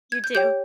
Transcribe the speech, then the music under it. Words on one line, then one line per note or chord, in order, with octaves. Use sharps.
You, too.
G#6
G6
G4 C#5 G5 G6